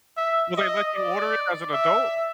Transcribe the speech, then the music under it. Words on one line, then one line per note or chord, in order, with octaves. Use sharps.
Will they let you order it as an adult?
E5
D#5
D5
E5